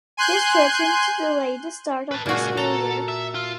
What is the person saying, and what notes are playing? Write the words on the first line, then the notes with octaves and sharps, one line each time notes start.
This threatened to delay the start of the school year.
G#5 C6 F#6 G6
B4 A5
C#2 A#2 F#4 G#4
A4 A#5
E5
F4